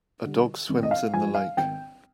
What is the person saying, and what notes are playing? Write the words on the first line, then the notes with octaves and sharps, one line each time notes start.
A dog swims in the lake.
D3 G3
G#1
D#5
F5
G2 F3 G#3 G#5
F5
G#1 G5